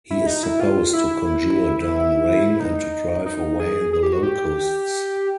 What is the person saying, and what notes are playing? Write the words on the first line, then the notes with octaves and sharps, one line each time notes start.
He is supposed to conjure down rain and to drive away the locusts.
E4
D#4
E4
F4
E4
D#4
D#4
G#4
G#4
G4
F#4
G4